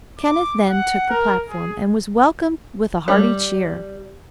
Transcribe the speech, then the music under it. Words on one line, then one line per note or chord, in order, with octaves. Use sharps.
Kenneth then took the platform and was welcomed with a hearty cheer.
D6
F#5
A#4
G#4
G3